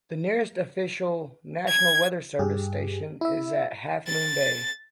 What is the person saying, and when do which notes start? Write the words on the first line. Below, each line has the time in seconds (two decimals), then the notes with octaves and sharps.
The nearest official National Weather Service station is at Half Moon Bay.
1.68 G#6
2.39 G2 G4 G#4
3.21 E4 E5
4.07 A6